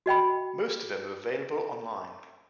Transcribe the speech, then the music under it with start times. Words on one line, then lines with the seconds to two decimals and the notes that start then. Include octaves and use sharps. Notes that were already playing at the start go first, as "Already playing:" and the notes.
Most of them are available online.
0.06 F#4 D#5 G5 B5